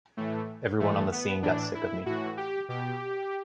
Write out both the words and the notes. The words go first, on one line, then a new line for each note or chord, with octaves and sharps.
Everyone on the scene got sick of me.
A2 E3 A3
A2 E3 A3
B3
A2 E3 D4
E4
A2 E3 F#4
G4
B2 G4